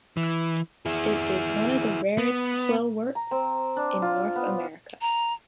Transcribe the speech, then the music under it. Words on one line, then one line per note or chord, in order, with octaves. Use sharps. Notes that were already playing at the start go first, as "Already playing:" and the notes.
It is one of the rarest quillworts in North America.
E3
E4 G#4
B3
A#5
C4
D4
F4
B3
A#5